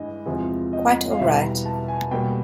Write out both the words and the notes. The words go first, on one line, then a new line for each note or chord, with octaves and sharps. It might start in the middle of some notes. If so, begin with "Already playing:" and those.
Quite all right.
Already playing: G2 E3 G#3 D#5
E2 C3 F3 G#3
D#5
F5
E2 B2 G3 B3 E5
A#5
A5
G#5
B2 G3 A#3 G5